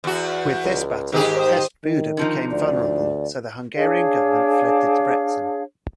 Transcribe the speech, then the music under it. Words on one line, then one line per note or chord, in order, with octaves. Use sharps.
With this battle, Pest-Buda became vulnerable, so the Hungarian government fled to Debrecen.
E2 F#4
C#2
G#2 D#3 G4 G#4
C5 D#6
D#3
D3 F3 D#4
D2 D5
D4 G#4 C#5 F5